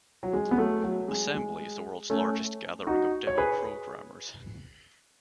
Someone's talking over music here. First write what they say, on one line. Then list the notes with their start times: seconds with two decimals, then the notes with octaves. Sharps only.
Assembly is the world's largest gathering of demo programmers.
0.23 F#3
0.33 G#3
0.51 B3
0.58 F#3 A3
0.83 F#3
1.08 G#3
1.34 G#3
2.10 A3 C#4
2.87 D#4 F#4
3.27 C#5
3.38 G#4 B4